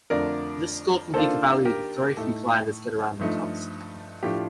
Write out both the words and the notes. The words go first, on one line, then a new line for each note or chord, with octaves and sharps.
This score can be devalued if very few gliders get around the task.
F2 D3 A3 D4 F4 A#4 D5
D#3 A#3 D4 F4 A4 C5
G4 A#4
A2 A3 D#4 A4
G2 F3 A3 D#4
A2 F3 A3 D4 F4 G4